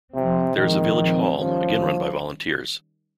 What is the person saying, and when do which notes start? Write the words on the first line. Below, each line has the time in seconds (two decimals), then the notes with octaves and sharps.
There is a Village Hall, again run by volunteers.
0.14 C3 F3 C4
0.56 A#2 D#3 F3 G#3 C4
0.98 F3 C4
1.40 D#3 F3 G3 C#4